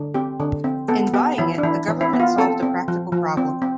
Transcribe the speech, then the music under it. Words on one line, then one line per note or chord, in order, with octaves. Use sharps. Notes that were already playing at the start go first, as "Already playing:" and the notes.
In buying it, the government solved a practical problem.
Already playing: D3
C4 G4
D3
C4
B3 A4
B3 G4
E3 E4
D4
E3 E4
E3
E4
B3
F4
C4 A4
C4
F3
F3
C4
C4